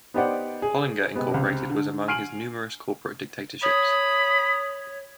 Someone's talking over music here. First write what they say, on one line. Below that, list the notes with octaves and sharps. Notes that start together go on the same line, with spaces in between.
Hollinger Incorporated was among his numerous corporate directorships.
B3 D#4 G4 C5 D5 F#5
G#4
C3 G#3 B3
C#2 C3
D3
G#5 F6 C7 D7 D#7 F#7
C#5 B5 D#6